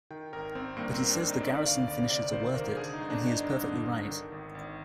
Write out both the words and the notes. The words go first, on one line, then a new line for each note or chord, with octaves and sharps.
But he says the Garrison finishes are worth it, and he is perfectly right.
D#3 G5
G#1 A#4
G#1 C4
G2 A#3
C4
D#3
D4
G#1
D#4
D#3 D5
D2 F5
D2 D5
C3 D5
D#3 C5
D2 A#4
D3 G#4
D#4
G1
D4
G1
D#4
G2
D3
G1
D#3
G#1
G#1